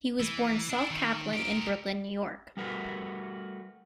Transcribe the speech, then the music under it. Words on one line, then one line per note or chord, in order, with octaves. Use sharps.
He was born Saul Kaplan in Brooklyn, New York.
E3
D4 E4
D#3
G4 A#4
G3 A3 F#4 A#4 B4